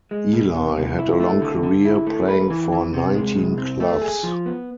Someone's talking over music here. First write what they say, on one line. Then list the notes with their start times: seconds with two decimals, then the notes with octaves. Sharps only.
Ilie had a long career, playing for nineteen clubs.
0.11 G#3
0.33 B2
0.54 B3
0.77 C2
0.99 E4
1.20 A3
1.42 D3
1.63 D3
1.85 E4
2.07 A3
2.28 B4
2.50 E3
2.72 E3
2.93 C3
3.15 G#3
3.37 C2
3.58 C4
3.80 A3
4.01 G#4
4.23 F3
4.46 B3